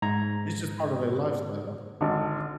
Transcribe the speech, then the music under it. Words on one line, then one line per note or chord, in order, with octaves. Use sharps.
It's just part of their lifestyle.
G#2 A#5 G#6
G#1 D3